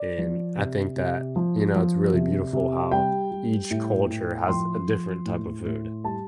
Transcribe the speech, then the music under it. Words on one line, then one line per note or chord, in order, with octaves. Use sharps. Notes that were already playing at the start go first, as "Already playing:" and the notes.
and I think that, you know, it's really beautiful how each culture has a different type of food.
Already playing: D5
F3
C3
C3
F3
F3
C3
C3
G3 G5
G3
A2
A2
F3 C6
F3
A2
A2
G3 A5